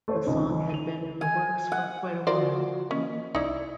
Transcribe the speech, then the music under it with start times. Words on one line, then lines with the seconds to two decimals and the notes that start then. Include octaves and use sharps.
The song had been in the works for quite a while.
0.08 A3 C5 C#5
0.27 G#1 C#2 D#4
0.70 D#7 F7
1.21 G#5
1.72 F#5
2.27 F3 F4 F#4 A#4 C5 D5
2.91 E3 A#3 C#4 D#5
3.35 C2 D#4 E4 D5